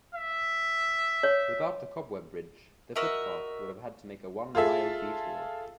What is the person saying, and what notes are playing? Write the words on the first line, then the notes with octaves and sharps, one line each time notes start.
Without the Cobweb Bridge, the footpath would have had to make a one-mile detour.
E5
C#5
F#4 A#4 D#5 E5
F4 G#4 A4 E5